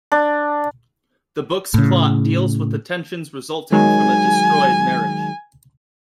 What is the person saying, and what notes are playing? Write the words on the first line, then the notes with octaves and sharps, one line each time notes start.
The book's plot deals with the tensions resulting from a destroyed marriage.
D4
A2 C#3
D#3 F#3 G#3 G#5